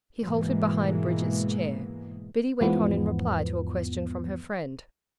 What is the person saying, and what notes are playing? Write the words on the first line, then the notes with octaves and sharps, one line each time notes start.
He halted behind Bridget's chair. Biddy went on in reply to a question from her friend.
G#2 B2 E3 G#3 A#3
E2 G#2 E3 F3 B3